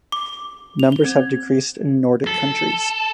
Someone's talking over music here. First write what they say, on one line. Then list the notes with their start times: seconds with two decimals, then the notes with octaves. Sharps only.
Numbers have decreased in Nordic countries.
0.12 D6
0.79 F7
0.92 G7
1.05 C4 G#6
2.27 A4